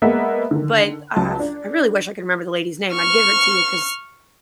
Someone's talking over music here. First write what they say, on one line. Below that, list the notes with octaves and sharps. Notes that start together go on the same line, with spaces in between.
but, uh, f I really wish I could remember the lady's name, I'd give her to you 'cause
G#3 A#3 B3 D#5 E5 F#5
D3 D#3
C#2 F#3 A5
D4
C#6 F6